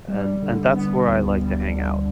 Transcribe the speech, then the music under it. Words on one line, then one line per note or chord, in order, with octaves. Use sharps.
And and that's where I like to hang out,
G3
D3
B3
D2
G3
D3